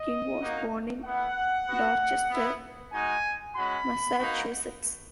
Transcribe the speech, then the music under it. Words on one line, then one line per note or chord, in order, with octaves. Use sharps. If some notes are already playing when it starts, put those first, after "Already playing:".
King was born in Dorchester, Massachusetts.
Already playing: D#5
A#3 D#4 F#4
B3 E4 F#5
B3 F#4
B3 E4
G#3 D#4 F#4 G#5
G#3 C#4 F#4 B5
A#3 D#4 F#4